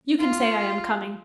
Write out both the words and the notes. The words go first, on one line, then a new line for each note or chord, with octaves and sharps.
You can say I am coming.'
F4